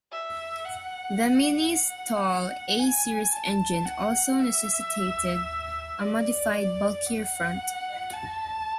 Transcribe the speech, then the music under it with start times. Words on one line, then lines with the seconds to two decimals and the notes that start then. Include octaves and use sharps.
The Mini's tall A-series engine also necessitated a modified, bulkier front.
0.12 E5
0.65 F#5
1.72 F#5
2.79 G#5
3.32 A5
3.85 F#5
4.40 E5
5.99 D5
7.06 F#5
8.13 A5